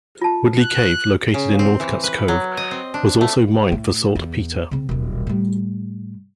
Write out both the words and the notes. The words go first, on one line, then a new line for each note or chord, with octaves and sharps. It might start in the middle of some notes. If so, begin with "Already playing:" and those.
Woodlee Cave, located in Northcutts Cove, was also mined for saltpeter.
F4 A5
F#6
C#3
C4
E3
B4
F#3
D#5
C4
D4
A3
A2
E2
C#3 C4
D#1 B1
A2 G3